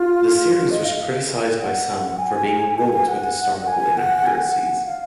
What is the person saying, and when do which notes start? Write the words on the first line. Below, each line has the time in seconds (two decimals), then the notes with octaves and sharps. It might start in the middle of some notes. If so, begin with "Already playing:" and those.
The series was criticised by some for being wrought with historical inaccuracies.
Already playing: F4
0.70 D#5
0.85 F5
1.60 F#5
2.19 G#5
2.79 G#5
2.93 G#5
3.09 F#5
3.67 G#5
3.97 F#5
4.26 G#5
4.42 F#5
4.86 F5